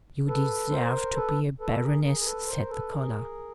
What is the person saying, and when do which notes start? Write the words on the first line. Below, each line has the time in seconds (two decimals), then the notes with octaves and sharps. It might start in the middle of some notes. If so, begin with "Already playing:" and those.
"You deserve to be a baroness," said the collar.
0.28 A4 B4
0.72 A#4 C5
1.16 A4 B4
1.60 A4 B4
1.82 G#4 A#4
2.04 G#4 A#4
2.20 A#4
2.25 A4 B4
2.47 A#4 C5
2.70 A4 B4
2.91 G#4 A#4